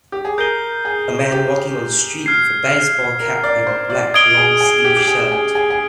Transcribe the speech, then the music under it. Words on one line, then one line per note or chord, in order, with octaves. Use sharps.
A man walking on the street with a baseball cap and black longsleeve shirt.
G4
G#4
A#4 D#6 G6 C7 D#7 G7
G#4
G4
F6 G#6 C7
A#4
D5
C5
D5
D#5 D#6 G#6 D7 G7
G#4
G#4
G4
G4
G#4
G#4
G#4
G#4